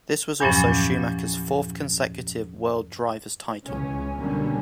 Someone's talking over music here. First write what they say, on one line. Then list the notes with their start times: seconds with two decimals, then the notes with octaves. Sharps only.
This was also Schumacher's fourth consecutive World Driver's title.
0.40 E2 G2 A#2 F3 F#3 C#4
3.65 C#2 E3 C#4
4.19 B2 D3 F#3 G3 A#3 C#4